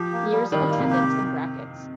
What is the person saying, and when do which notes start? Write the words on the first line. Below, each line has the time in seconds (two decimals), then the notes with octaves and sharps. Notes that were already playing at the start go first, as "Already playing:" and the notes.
Years of attendance in brackets.
Already playing: F3 G4
0.12 A#3
0.32 G3
0.51 D#3 G3
0.71 A#3
0.80 C3
0.90 G4